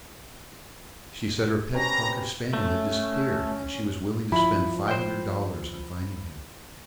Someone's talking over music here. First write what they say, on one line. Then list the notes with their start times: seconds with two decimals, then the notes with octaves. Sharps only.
"She said her pet cocker-spaniel had disappeared and she was willing to spend five hundred dollars on finding him."
1.74 C3 C#4 B4 A#5
2.53 A3 C#4
4.32 F3 E4 B5 F#7
4.88 C5 G5